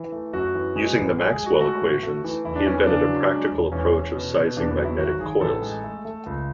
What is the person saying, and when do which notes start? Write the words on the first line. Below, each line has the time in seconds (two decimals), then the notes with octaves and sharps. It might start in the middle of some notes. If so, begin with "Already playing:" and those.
Using the Maxwell equations he invented a practical approach of sizing magnetic coils.
Already playing: E3
0.12 A3
0.33 F#2 F#4
0.55 E3
0.76 G#3
0.97 A1
1.18 G#3
1.32 G#4
1.39 G#3
1.46 F#4
1.60 A3 F#4
1.81 A1
2.03 A3
2.24 E3
2.45 E2 E4
2.56 D4
2.66 E3 C#4
2.77 B3
2.87 C#3 D4
3.08 F#3
3.30 G#3
3.51 E1
3.72 E2 C#4
3.93 E2
4.15 B2
4.36 B2
4.57 E2 D4
4.71 B3
4.78 F#3
4.85 E4
4.99 G#1 F#4
5.20 G#1 G#4
5.41 A1 A4
5.62 G#3
5.84 A3
6.05 A3
6.26 C#2